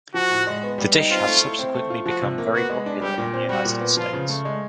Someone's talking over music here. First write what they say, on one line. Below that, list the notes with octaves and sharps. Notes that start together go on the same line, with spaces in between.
The dish has subsequently become very popular in the United States.
F3 F#4
A2
G#3
B3
G3
D#4
C4 F4
A3
E4
C4
A3
F4
F3 F#4
C3
A#3
B3 F#4
G#3
D4
G3 G4
A#2
C4
G3 F#4
A#2
B3
F3 F4
C#3
A3
G#3